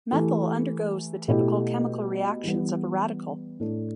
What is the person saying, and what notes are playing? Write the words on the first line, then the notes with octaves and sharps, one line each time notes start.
Methyl undergoes the typical chemical reactions of a radical.
E3 A3 G4
B2 A3 E4 G4
E3 G3 B3
A2 A3 D4